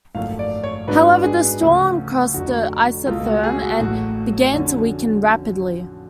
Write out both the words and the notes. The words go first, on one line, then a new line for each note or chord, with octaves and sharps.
However, the storm crossed the isotherm and began to weaken rapidly.
G#1 F#2 F3 A3 F5
D5
C#5
G#2 F#3 B3 D4 B4
G#4
D2 C#3 F3
F1 F2 D3 F#4
C#2 B2 A3 F4
F#4
G#4
F#4
A1 A2 F#3 A3 F#4
F2 D3 F#3 C#4